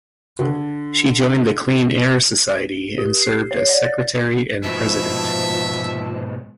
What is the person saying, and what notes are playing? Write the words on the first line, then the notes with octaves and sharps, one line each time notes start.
She joined the Clean Air Society and served as secretary and president.
D3
G7
G4
C7
C#5
D5
A6
G#2 B2 F3 E5 A5